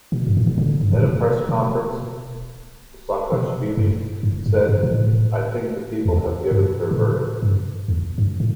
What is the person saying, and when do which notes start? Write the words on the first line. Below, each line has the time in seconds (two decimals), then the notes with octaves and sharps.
At a press conference, Saakashvili said: I think the people have given their verdict.
0.12 B2
0.27 G2
0.37 A2
0.47 B2
0.58 D3
0.81 G2
0.92 A2
1.03 B2
1.49 B2
3.32 B2
3.77 G2
4.23 G2
4.46 G2
4.68 G2
4.83 B2
4.91 A2
6.06 E2
6.51 G2
6.91 B2
6.97 A2
7.42 G2
7.88 E2
8.18 G2
8.40 A2